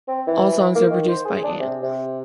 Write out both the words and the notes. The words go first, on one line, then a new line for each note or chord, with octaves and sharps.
All songs are produced by Ant.
C4
E3
A#3
D#3
C5
G#4
D4
C3
C3